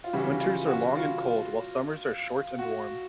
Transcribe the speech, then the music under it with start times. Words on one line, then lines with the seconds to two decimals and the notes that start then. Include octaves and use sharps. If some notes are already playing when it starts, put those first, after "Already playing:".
Winters are long and cold, while summers are short and warm.
0.04 F4
0.13 C#3 E3 G3 F#4
0.41 F4
0.68 F#4
0.95 F4
2.59 F#4